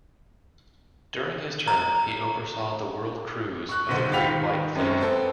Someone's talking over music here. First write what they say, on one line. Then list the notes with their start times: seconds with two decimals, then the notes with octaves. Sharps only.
During his term, he oversaw the world cruise of the Great White Fleet.
1.68 A#5
3.69 C#6 F#6
3.89 B1 D3 C5 F#5
4.11 D#2 F4 G4 B5 B6 F7
4.27 D#3
4.75 F#2 G#3 C4 C#4
5.01 B3 C4 A4